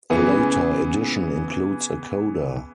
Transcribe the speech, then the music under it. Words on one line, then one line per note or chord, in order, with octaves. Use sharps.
A later edition includes a coda.
C#3 E3 B3 G#4